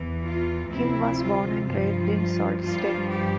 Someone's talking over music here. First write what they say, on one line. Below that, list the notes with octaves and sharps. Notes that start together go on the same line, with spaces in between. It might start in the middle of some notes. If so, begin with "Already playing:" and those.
Kim was born and raised in Sault Ste.
Already playing: E2 E3
F4
D2 C3 F3 E4
F4
G2 F3 F4
G2 F3 F4
G4